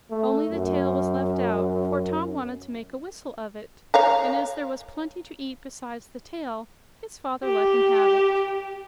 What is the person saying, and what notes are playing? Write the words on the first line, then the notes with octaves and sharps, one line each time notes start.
Only the tail was left out, for Tom wanted to make a whistle of it, and as there was plenty to eat besides the tail his father let him have it.
A3
F#2
C#5 F5 A#5
G4